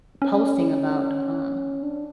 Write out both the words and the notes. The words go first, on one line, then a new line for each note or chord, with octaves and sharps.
posting about, um,
C#4
D4